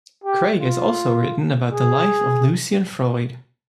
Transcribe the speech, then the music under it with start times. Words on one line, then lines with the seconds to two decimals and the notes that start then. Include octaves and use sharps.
Greig has also written about the life of Lucian Freud.
0.24 G4
0.61 F4
1.72 G#4